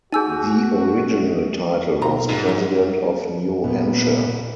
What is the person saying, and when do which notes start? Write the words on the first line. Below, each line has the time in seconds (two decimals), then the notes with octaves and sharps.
The original title was President of New Hampshire.
0.12 D#4 F#4 G#4 G#5 E6 G6
2.02 B1 F4 A#4 A#5 B5
2.29 G#2 C4 G#4 A#4
2.48 F#3
3.64 A#2 B3